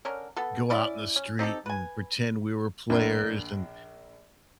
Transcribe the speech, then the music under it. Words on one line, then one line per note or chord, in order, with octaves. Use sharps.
go out in the street and pretend we were players and
D3 C#4 A#4
B3 A4
C#4 E4 D5
C#4
C4 D#4 G4 A4
B4 G#5
A#1 A#3 D4